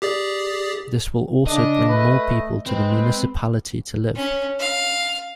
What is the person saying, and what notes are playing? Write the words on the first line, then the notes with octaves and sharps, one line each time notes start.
This will also bring more people to the municipality to live.
G4 G#4 D5
C#3 D4 D#5
A3 B4
G#3 C4 B4
C#4
F5